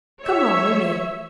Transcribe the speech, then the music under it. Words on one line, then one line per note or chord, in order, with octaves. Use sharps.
Come home with me.
C#5 E5